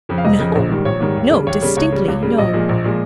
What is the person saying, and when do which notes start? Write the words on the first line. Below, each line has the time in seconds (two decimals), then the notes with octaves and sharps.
"No, no--distinctly no."
0.09 F2 C#3 F3
0.18 F5
0.25 F1 D#5
0.39 F2 C#3 F3
0.55 A#1
0.69 G#2 D#3 G3
0.85 A#1 C#5
1.00 G#2 D#3 G3
1.16 D#2
1.31 C#3 G3
1.47 D#2 C#5
1.62 C#3 G3
1.77 C#2 C#5
1.92 C#3 G3
2.08 C#2
2.22 C#3 G3
2.38 A#1 D#5
2.53 A#2 F3 G#3
2.69 A#1
2.84 A#2 F3 G#3